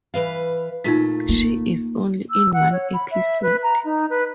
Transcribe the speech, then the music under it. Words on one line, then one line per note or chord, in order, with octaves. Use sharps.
She is only in one episode.
E3 B4 F5
A#2 A3 D#4 F4 B6
A#3
E6
F#5
C#5
B5
E5
B4
A#5
D#4
B4